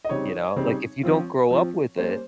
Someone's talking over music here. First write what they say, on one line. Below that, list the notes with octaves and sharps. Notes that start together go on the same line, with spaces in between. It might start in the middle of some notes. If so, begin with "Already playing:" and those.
you know? Like, if you don’t grow up with it,
D#5
C#3 G3 C4 D#4 C#5
C#3 G3 C4 D#4
F3 C4 F4
F3 C4 F4
G3 A#3 C#4 C5